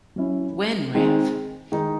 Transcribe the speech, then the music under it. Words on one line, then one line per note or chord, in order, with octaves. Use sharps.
When Rev.
F#3 C#4 E4
D#3 G#3 C4
D#3 G#3 D#4